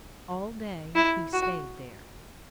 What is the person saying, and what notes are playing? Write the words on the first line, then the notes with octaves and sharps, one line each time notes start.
All day he stayed there.
E4
F#4